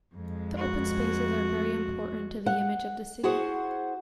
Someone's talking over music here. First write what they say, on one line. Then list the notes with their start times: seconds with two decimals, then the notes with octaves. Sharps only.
The open spaces are very important to the image of the city.
0.14 F2 G#3
0.57 F#4
2.46 F#5
3.23 E4 F#4 G#4 C5 F#5